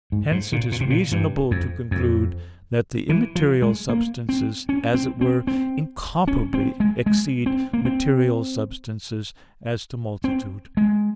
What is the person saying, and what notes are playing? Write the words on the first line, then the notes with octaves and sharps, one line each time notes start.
Hence it is reasonable to conclude that the immaterial substances as it were incomparably exceed material substances as to multitude.
G#2
G#2
A#2
A#2
C3
A#2
G2
F2
F2
E3
F3
G#3
A#3
C4
C#4
C4
C4
C4
C#4
C4
G#3
G#3
C4
A#3
C4
C4
G#3